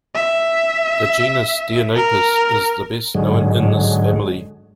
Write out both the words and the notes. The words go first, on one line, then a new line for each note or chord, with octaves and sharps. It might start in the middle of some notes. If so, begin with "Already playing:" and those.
The genus "Deinopis" is the best known in this family.
E5
A#4
G#2 D3 F#3 G#3